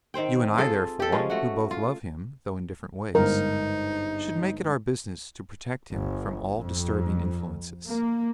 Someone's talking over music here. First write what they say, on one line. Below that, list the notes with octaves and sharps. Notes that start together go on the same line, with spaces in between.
You and I, therefore, who both love him, though in different ways, should make it our business to protect him from all disturbing influences.
D#3 C4 C5 G5
F4 G#4 A4
G4 A4
F3 G#3 C#4 A#4
A3 F#4
F4
G1 G#2 D#4 A#4
G1
F2
A#3